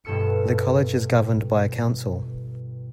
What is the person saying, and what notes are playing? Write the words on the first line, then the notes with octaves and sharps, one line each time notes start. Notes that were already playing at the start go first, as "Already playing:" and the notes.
The College is governed by a council.
G1 G2 B2 A4 E6 C#7